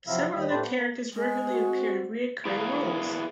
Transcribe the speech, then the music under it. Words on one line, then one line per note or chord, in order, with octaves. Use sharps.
Several other characters regularly appear in recurring roles.
C3 F3 F#3 E4 F5 E6
D#2 G3 D#5 B5
A2 A3 G4 B4 C5
B3
A#3
G#3
C4 F#4
E4 G#4 A#4 B4 D5 F5